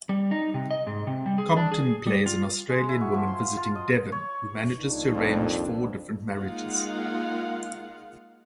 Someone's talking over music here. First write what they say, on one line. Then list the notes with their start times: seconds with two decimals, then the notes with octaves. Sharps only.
Compton plays an Australian woman visiting Devon who manages to arrange four different marriages.
0.09 G3
0.31 D#4
0.54 C3
0.71 D#5
0.87 G#2
1.07 C3
1.26 G3
1.38 G#4
1.57 D4
1.72 G#4
2.07 G3
2.26 F4
2.69 G#3
2.89 E4
3.01 F#4
3.14 F3
3.27 C6
3.39 F5
3.57 F4
3.75 D#5
4.12 C#5
4.79 C2 A#2 A#3 D4 D#4
5.15 F2 A4
6.35 G#3 A#3 D#4 F4 F5 F#5